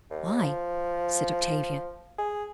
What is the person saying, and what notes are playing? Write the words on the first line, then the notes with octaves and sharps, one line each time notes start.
"Why?" said Octavia.
D#2
F3
G#4